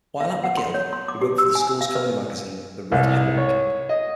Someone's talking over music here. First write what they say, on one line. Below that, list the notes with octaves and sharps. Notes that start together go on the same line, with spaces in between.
While at McGill, he wrote for the school's comedy magazine "The Red Herring".
F5
F#5
C6
C#5
C6
D6
G4
E6
G#5
F5
B4
C2
C#5
D#5